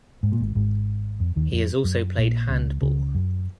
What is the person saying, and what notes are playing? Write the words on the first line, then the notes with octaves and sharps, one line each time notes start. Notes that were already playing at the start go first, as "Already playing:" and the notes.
He has also played handball.
G#2
A#2
G#1 G#2
G#1 G#2
F2
D#2 D#3
F2 F3
F#2 F#3
A#1 A#2
C#2 C#3
C#2 C#3
F#2